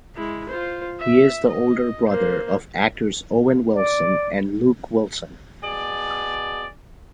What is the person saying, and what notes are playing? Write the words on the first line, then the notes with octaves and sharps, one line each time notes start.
He is the older brother of actors Owen Wilson and Luke Wilson.
G#3 E4
F4 C5
E5
D#5
A#3 C5
D5
B2 G#4 D5